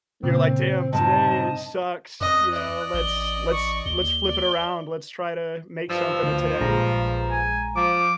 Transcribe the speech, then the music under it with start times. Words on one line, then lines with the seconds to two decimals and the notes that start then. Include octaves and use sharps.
You're like, "Damn, today sucks. You know, let's let's let's flip it around. Let's try to make something of today."
0.23 A#2 C#3 C4
0.93 G2 C3 D#4 D#5 A5
2.21 F2 D#5 F#6
2.53 D5 D#5
2.94 A1 G7
3.52 C#6
3.86 D#2 G7
4.26 D5
5.90 G2 F3 E6
6.23 D2
6.61 A#1 G#3 A#5
7.31 G#5
7.76 F3 D6